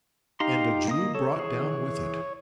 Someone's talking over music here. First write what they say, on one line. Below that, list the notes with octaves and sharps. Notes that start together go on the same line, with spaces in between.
'And a Jew brought down with it!
D#4 G4 F5 A#5 C6
A#3 D#5 D#6
A4 C#5
E3 G#4